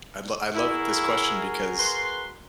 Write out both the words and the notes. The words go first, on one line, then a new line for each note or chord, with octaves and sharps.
I lo I love this question because
E4 F#4 G#4 A#4
B4 C6